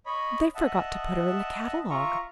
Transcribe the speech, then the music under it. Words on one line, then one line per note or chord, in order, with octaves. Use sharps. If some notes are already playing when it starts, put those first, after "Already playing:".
"They forgot to put her in the catalogue."
C#5 D#5 B5
D#5 E5 F#5 A5
F4 E5 A#5 C#6